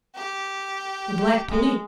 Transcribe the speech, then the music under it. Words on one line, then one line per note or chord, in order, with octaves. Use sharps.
The Black Police.
G4
G#3